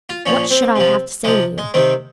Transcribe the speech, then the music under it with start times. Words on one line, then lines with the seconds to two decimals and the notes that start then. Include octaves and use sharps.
"What should I have to say to you?"
0.09 F4
0.26 A#2 F3 C#4
0.50 C4
0.76 C3 F3
1.24 C3 F3 G#3
1.58 G#3
1.74 C3 D#3 C4